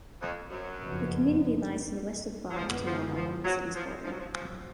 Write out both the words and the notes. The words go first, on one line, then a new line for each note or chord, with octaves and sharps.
The community lies to the west of Baltimore along the city's border.
F2
F#2
F#1 F2 F3 B3
F#3
F#2 D3 F3 G#3 B3
F3
F3
F#3
F3
F3
F#3
F3
A#1 G#2 F3 F#3